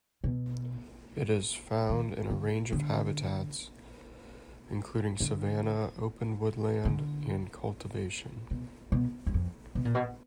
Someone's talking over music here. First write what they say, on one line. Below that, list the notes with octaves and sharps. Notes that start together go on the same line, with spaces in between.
It is found in a range of habitats including savanna, open woodland, and cultivation.
B2
D#3
D3
D3
D3
D3
B2
B2
F#2
F2
B2
A#2
B2